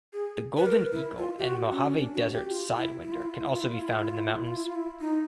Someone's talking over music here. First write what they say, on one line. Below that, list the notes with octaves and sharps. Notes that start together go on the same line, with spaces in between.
The golden eagle and Mojave Desert sidewinder can also be found in the mountains.
G#4
B4
A#4
E4
F4
G4
F#4
C#4
D4
F#4
G4
F4
E4
E4
F4
E4
F4
E4
F4
E4
F4
E4
F4
E4
F4
E4
F4
E4
F4
E4
F4
E4
D#4